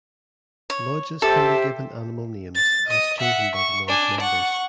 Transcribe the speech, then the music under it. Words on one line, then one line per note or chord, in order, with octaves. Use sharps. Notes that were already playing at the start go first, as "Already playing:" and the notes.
Lodges can be given animal names as chosen by the Lodge members.
C#5
G4 A4 C5 E5
A6
D#5 D#6
E5 F#5
C#6
D4 G#5
F#5 C#6